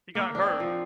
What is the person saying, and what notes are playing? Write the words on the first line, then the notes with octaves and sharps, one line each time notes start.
he got hurt
A#3
D4
C4
F3